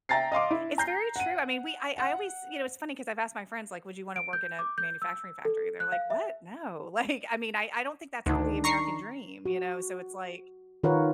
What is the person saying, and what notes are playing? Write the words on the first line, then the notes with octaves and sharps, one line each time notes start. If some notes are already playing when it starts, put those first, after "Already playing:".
It's very true. I mean, we I I always you know, it's funny 'cause I've asked my friends, like, "Would you want to work in a manufacturing factory?" They're like, "What, no," like, I mean, I I don't think that's the American dream, you know, so it's like
E5 G5 A#5 A6 A#6 C7
D#5 F5 C6 D6
E4
A#5 G6 C7
F#5 D#7
F#5
D7
G6
D6
G6
E6
A4
F#6
F5
E5
D2 D#3 D4
A#5 C#6 C7
F#4
D#3 F4 A#4 B4 C#5 F#5